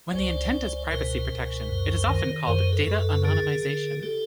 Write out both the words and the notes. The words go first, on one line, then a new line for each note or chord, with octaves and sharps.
When the intent is privacy protection, it is often called data anonymization.
C#2 C5 D5
C#2
B2 A#4 C5
C#2
F#2
D#3
F#2 A#4 C5
A4 B4
F#2
A4 B4
D3 G#4 A#4
D3
G4 A4